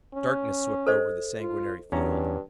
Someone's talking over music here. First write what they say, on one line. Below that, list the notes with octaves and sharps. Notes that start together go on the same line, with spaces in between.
Darkness swept over the sanguinary field.
C#4
A4 C5 D#5
F4
E2 G2 C#4 A#5